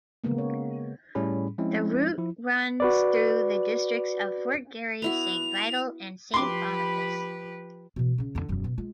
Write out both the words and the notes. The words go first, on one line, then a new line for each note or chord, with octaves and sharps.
The route runs through the districts of Fort Garry, Saint Vital, and Saint Boniface.
C#3 G#3 A#3 B3
C#5
A2 G3 C#4 G#4 B5
F3 G#3 C4 C#4 E4
F3 E4
F#4 B4 D5
B3 E4 F#4 F7
F3 G4 B4 B5 C6 D6
B2 E3
C#3 C#4
F2 D3
E1 F#2
B2
G#3 F4